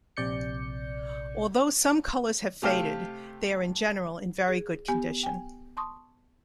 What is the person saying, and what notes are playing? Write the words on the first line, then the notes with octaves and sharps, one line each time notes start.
Although some colours have faded, they are in general in very good condition.
A#1 C3 D5 G6 C#7
C3 A3 G4 F5 G5 F6
G#4
B3 G4 G#5
G5 G#5
A5 C6 C#6 D#6